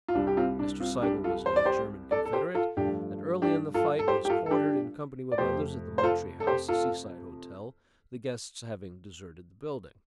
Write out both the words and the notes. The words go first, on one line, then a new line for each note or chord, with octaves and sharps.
Mr. Seigel was a German Confederate, and early in the fight was quartered, in company with others, at the Moultrie House, a seaside hotel, the guests having deserted the building.
F4
C2 C3 G3 D4
G4
C4 F4
D4
C4 F4
D4 G4
F4 A4
C5
D5
G4 C5
A4 D5
A4
G4 C5
F4 A4
G2 F3 A3 D4 G4
D4 G4
F4 A4
A4
G4 C5
G4
F4 A4
A4
D4 G4
D5
F2 C3 A3 G4 C5
C5
F4 A4
A4
G4 C5
F4 A4